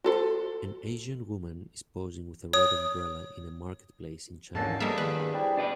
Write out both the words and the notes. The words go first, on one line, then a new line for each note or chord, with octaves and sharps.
An Asian woman is posing with a red umbrella in a marketplace in China.
F#4 A4 C5
C#5 D#6
F2 G#2 D3 E3 A#3 C#4 A5
G3 A#3 D4 G#4 A4 B4 D#5 E5
E2 G2 D#3 B4
C3 G3 E4
B2 D4 B4 D5